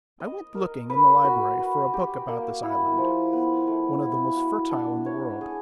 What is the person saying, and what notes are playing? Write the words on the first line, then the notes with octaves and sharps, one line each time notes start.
I went looking in the library for a book about this island, one of the most fertile in the world.
D#5
A#4
B4
F#4
B4
G4
A#3
E4
F3
B3
A3
E4
F#4
D4
C#5
G#4